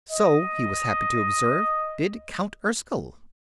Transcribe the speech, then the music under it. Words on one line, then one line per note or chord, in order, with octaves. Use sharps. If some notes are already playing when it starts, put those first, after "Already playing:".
So, he was happy to observe, did Count Erskyll.
D#5